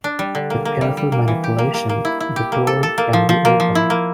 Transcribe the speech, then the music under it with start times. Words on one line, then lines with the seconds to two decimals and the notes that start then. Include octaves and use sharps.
With careful manipulation, the door can be opened.
0.04 D4
0.19 G3
0.35 D3
0.50 A#3
0.65 A#3
0.81 G3
0.97 G3
1.12 A#3
1.28 E3
1.44 G4
1.59 A#3
1.74 A#3
1.89 A#3
2.05 E4
2.20 E4
2.36 G4
2.52 A#3
2.67 A4
2.83 A4
2.98 A#3
3.13 F3
3.29 F3
3.45 A#3
3.60 F3
3.75 E4
3.90 A#3